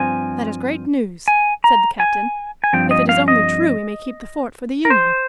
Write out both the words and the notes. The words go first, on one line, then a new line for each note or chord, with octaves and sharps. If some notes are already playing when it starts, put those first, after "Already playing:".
"That is great news," said the Captain; "if it is only true we may keep the fort for the Union."
Already playing: G2 F3 C4 G#5
G#5
A#5
G#5
G#5
G2 F3 C4 G5
D#5
F5
D#5
A#4
C5